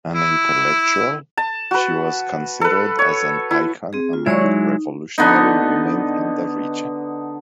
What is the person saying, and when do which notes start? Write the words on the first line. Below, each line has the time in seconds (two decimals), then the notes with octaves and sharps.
An intellectual, she was considered as an icon among revolutionary women in the region.
0.15 E4
1.37 A5
1.71 F#4 B4
2.61 A4 B4
2.99 C#5
3.51 E4
3.93 C4 G#4
4.13 F4
4.26 F#3 G#3 E4 C#5 D5 C#6
4.41 D#4
5.18 D3 B3 D#4